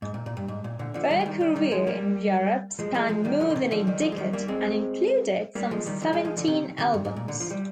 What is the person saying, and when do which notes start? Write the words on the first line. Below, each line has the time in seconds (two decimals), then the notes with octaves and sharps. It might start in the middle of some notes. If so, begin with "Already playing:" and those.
Their career in Europe spanned more than a decade and included some seventeen albums.
0.02 G#2
0.14 A#2
0.26 A#2
0.37 G2
0.48 G#2
0.64 A#2
0.79 A#2 D3
0.94 D3 F3
1.10 D#3 G3
1.21 G#3
1.25 D#3 G3
1.41 D#3 G3
1.56 D#3 G3
1.71 F3 G#3
1.87 G3 A#3
2.79 F3 G#3
2.94 F3 G#3
3.09 F3 G#3
3.25 D#3 G3
3.40 D3 F3
3.50 D3
3.56 C3 D#3
3.71 D3 F3
3.87 D#3 G3
4.01 D3 F3
4.12 G#3
4.17 D#3 G3
4.33 G3 A#3
4.48 G#3 C4
5.55 G3 A#3
5.71 F3 G#3
5.86 D#3 G3
6.01 D3 F3
6.13 F3 G#3
6.25 F3 G#3
6.37 D3 F3
6.47 C3 D#3
6.78 C3 D#3
6.94 G2
7.05 G#2
7.16 A#2
7.28 A#2 D3
7.40 F3
7.51 G3